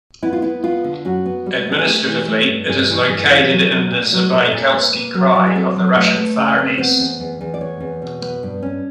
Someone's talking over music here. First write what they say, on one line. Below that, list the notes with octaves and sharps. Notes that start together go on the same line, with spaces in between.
Administratively it is located in the Zabaykalsky Krai of the Russian Far East.
B3 E4
F4
B3 E4
B3 F4
D3
F#2 F#4
B3
G3
B3 A4
G#4
A3 G4
E3
A3
G2
G2 G#4
E3
G2 G#4
E3
F#3 A4
F#3
A#2
F#3
A#2 A#4
A4
A#2
A#4
A#3 B4
A#3
F#3 A#4
F#3
G#4
C4 A4
F#3
A3 B4
A3
C#3
C4
B3 C5
E2
E2
E2
D5
B3 C#5
E2
B2
B3
G2
C#4